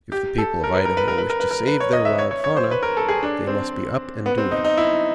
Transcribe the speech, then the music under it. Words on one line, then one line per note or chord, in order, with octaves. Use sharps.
If the people of Idaho wish to save their wild fauna, they must be up and doing.
G4
A4
A#4
B4
A#4
B4
A#4
B4
A#4
B4
A#4
B4
C#5
D#5
E5
C#5
C#5
C#5
C5
B4
A#4
A4
G#4
D4
C4
B3
C4
D#4
D#4
E4